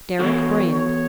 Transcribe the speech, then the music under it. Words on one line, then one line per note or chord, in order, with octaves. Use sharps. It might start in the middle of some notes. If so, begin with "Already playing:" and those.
Deryck Brand.
E3 G3 B3 F#4 A4 C#5
C#5